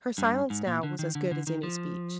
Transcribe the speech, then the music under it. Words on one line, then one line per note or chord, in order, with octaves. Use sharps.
Her silence now was as good as any speech.
G2
G#2
A#2
D3
D#3
D3
D3
D#3
F3